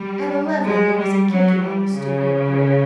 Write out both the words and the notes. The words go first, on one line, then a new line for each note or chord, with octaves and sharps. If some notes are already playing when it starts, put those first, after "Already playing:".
At eleven there was a kicking on the studio door.
Already playing: G3
G#3
G3
F#3
G3
C#3